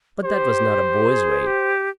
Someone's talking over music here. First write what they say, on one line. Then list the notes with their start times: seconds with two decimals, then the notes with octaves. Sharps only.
But that was not a boy's way.
0.24 G4 C5
1.06 G#4
1.47 G4